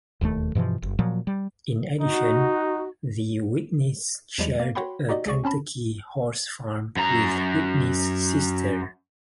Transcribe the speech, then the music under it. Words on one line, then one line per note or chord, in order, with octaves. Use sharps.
In addition, the Whitneys shared a Kentucky horse farm with Whitney's sister.
E1 D#2 F3 A3
G2 B2 E3 F3
F#1
A#2 F3 F#3
G3
D#4 F#4
E2 F3 G3 G#3
A#3
F#4 C#5 F#5 G5 B5 C6
D#4 F#4 G4 D5 D#5
C#2 G#4 D5 C#6
C4 C#4 A5 B5
F#2 A#5